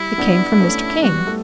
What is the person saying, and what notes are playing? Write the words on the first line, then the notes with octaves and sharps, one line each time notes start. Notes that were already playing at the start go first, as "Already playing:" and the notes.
It came from Mr. King.
Already playing: G3 E4
B3 D4
A3 C#4
G3 B3 F#4
A3